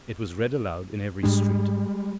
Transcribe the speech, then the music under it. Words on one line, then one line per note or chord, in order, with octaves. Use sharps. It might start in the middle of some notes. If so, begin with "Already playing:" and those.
It was read aloud in every street.
G#2 G3 G#3 D4